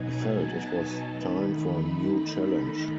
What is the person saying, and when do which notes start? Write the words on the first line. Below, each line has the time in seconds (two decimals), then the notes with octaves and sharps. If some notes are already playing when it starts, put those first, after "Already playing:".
He felt it was time for a new challenge.
Already playing: B2 F#3 B3 D#4 G#5
0.10 A5
1.03 E2 D#3 A3 D#4 B5